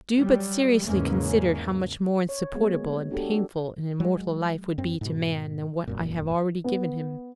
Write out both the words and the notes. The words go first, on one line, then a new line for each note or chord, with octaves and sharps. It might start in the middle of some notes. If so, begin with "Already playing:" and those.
Do but seriously consider how much more insupportable and painful an immortal life would be to man than what I have already given him.
F#3 G3
E2 G#2 C#3 G#3 A#3 C#4
C#5
F#3 G#3 A#3 B3 G#4
D4 F#4 G4 A4
F#3 G#3
F#2 C4
G#2 B2
E1 F#2 A#2
B3